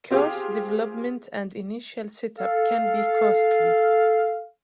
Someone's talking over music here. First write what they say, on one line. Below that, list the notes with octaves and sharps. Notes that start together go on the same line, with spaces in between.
Course development and initial setup can be costly.
C4 F4 G4 G#4
A4 F5